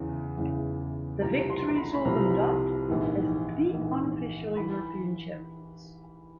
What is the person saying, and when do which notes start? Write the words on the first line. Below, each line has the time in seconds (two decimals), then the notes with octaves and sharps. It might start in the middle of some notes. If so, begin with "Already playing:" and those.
The victory saw them dubbed as the unofficial European Champions.
Already playing: E2 C#3 E3
0.37 E2 C#3 E3
1.21 C2 C3 F3 A#5
1.50 C6
1.68 A#5
1.77 B5
1.94 B5
2.05 C2 C3 F3 A#5
2.88 A#1 G#2 E3
3.72 A#1 G#2 E3
4.57 E3 B5